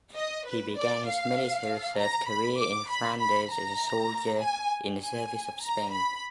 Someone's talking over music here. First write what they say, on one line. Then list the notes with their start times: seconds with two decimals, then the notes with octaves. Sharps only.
He began his military serve career in Flanders as a soldier in the service of Spain.
0.17 D#5
0.47 B4
0.78 D5
1.09 F5
1.99 A#5
2.30 B5
2.59 D6
2.90 B5
3.20 B5
3.51 A#5
4.42 G#5
5.03 G#5
5.63 A#5
5.94 B5